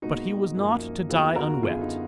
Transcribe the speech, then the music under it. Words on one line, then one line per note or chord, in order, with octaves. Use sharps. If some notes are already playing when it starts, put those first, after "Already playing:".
But he was not to die unwept.
A#2 G#3 B3 D#4 F#4
F#2 F3 A#3
D#2 D#3 F#3 B3 F4 G#4
F#4 A#4
F#2 D3 F#3 B3 F4 G#4
D#4 F#4